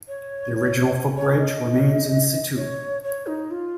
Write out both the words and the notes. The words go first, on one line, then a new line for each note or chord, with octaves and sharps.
The original footbridge remains in situ.
C#5
C#5
D#5
C#5
C#5
D#4
F4